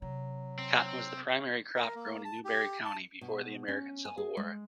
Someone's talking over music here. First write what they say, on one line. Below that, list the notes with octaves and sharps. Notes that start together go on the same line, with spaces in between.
Cotton was the primary crop grown in Newberry County before the American Civil War.
C3 F#3
C4
A#4
A#3
A5
G4
A5
B2
C#4
G#5
G#4
G#3